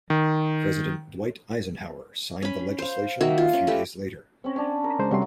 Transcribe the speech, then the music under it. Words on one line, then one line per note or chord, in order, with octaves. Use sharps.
President Dwight Eisenhower signed the legislation a few days later.
D#3
C#4 B5
C5 F5
D#3 A#3 F#4 E5
F4
C#4
A3 G4 B4
C4 C#4
C#4 D4
A#4
C#2 G#3 C5
C3 F#3 G3 A3 C6